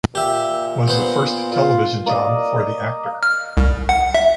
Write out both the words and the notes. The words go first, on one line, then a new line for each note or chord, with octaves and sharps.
Was the first television job for the actor.
A#2 G4 E5
B3 C5
F4
A#3 D5 D#5
F6
C2
F#5
E5